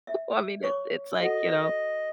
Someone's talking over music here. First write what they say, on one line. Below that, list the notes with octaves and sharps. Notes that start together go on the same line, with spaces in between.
I mean, it it's like, you know
E5
C#5 C#6 D6
F#4 A4 D#5 F#5